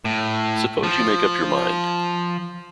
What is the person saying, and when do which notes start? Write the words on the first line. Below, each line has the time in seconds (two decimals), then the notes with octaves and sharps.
Suppose you make up your mind.
0.05 A2
0.83 F3